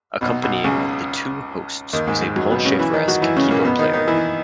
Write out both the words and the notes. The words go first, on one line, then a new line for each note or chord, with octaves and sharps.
Accompanying the two hosts was a Paul Shaffer-esque keyboard player.
B1 B2
B1 B2
C#2 C#3
D#2 D#3
G#2 G#3
G#2 G#3
F#2 F#3
B2 B3
C#3 C#4
E3 E4
D#3 D#4
F#3 F#4
E3 E4
C#3 C#4
A#2 A#3
B2 B3
D#3 D#4
D#3 D#4
E3 E4